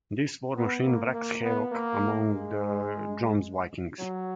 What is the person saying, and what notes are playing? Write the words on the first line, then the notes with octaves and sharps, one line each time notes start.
This war machine wreaks havoc among the Jomsvikings.
B3
A#3
A#3
B3
A#3
G#3
F#3